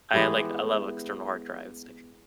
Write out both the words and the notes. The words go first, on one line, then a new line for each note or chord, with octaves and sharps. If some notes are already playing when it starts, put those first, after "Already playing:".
I like, I love external hard drives, like,
E3 G#3 B3 G4